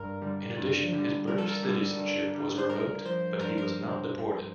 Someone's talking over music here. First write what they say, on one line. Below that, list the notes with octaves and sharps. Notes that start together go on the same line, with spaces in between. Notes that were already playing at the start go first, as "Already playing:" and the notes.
In addition, his British citizenship was revoked but he was not deported.
Already playing: G2 A#4
D3 G3
G2
D3 G3
G2 A#4
A4
A#4
D3 G3
G2
D3 G3
C5
G2 A#4
F3 C5
G2 A#4
A#4